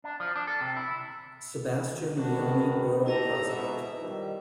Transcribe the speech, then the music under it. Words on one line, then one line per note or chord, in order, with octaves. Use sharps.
Sebastian Leone Borough President.
D4
F3
D4
A4
C3
E4
D#3 G#3 B3 D4 F#4
D2 D#4 E4 G4 A4 D#5 A#5 E6
G#2 B2 E5
D#3 F3 G3